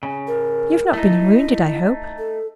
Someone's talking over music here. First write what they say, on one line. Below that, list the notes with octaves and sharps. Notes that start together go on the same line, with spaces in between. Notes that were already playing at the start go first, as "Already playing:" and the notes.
"You have not been wounded, I hope?"
C#3
A#4
A3 D#4 E4
A4